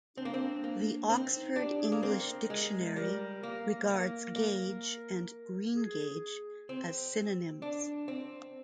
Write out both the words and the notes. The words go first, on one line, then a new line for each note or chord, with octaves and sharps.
The Oxford English Dictionary regards "gage" and "greengage" as synonyms.
C4 D4
A#3
C4
A#3
C4
D#4
D4 G4
G#4
A#3
C4 A#4
G#3
G3 A#4
A#3
A#3
A#3
G#4
C4
D4
C4